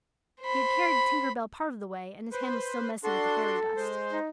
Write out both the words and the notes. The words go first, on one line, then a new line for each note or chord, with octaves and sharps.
He had carried Tinker Bell part of the way, and his hand was still messy with the fairy dust.
C5 B5
B4 C5
D4 F#4 A4 C6
G#3 C5
D#4